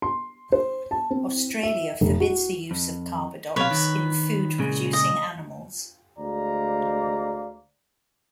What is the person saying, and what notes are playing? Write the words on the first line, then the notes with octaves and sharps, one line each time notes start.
Australia forbids the use of carbadox in food producing animals.
C6
C5
A5
C4
E5
F1
F#4
F2
B1 C3 B4 C#5 F5
D#3
A#2 C#3 G#3
D#5
D2 G#3 C5 D5 F5 A#5